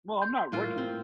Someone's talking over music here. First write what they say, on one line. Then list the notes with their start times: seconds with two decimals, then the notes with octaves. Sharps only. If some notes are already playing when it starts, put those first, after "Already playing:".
Well, I'm not working
0.18 C6 G6
0.52 A2 A#3 F4
0.78 C4